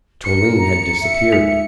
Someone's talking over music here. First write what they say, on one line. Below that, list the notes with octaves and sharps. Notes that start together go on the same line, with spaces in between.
Toline had disappeared.
A#4 C#7
A#5
E5
G#3 D#4